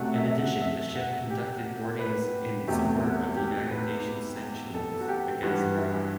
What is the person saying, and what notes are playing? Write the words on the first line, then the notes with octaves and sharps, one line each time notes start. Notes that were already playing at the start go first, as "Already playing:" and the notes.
In addition, the ship conducted boarding's in support of United Nations sanctions against Iraq.
Already playing: C3 F#3 A3 F#5
E5
E5
F#5
E5
F#5
G4
B4
E2 C3 F#3 A3 G4
F#4
G4
B4
A4
F#4
G4
G2 E3 G3 F#4
E4